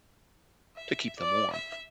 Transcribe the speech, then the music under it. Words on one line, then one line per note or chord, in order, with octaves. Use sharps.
to keep them warm.
E5
D5
E5